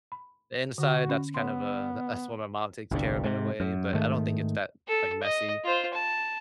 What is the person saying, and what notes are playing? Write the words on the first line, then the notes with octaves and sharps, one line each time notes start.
The inside, that's kind of a that's what my mom takes care of in a way, but I don't think it's that, like, messy
B5
D3 F#4
C#4
B3 C#5 C6
G1 C2 G2
G#2 C3
F#2
G#2 D#3 A3
A4
D#5
F4 C5
A5